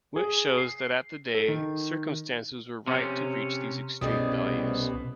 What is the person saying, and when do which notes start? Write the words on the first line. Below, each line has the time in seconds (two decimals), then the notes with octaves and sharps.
Which shows that at the day, circumstances were right to reach these extreme values.
0.16 G#4
0.58 C7
1.35 A4
1.48 D#3
2.88 C3 C#4
4.01 C2 B2 G3 A3 C#4 G#4 D#5 D#6